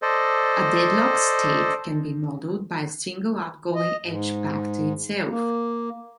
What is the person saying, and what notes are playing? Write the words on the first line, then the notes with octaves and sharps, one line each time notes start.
A deadlock state can be modeled by a single outgoing edge back to itself.
A4 C5 D5 D#5
D#5
G#2
A#3